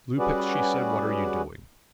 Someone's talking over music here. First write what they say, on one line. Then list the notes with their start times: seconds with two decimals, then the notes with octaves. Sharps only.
"Lupex," she said, "what are you doing?"
0.19 G3 C#4 F#4 G#4 B4 D5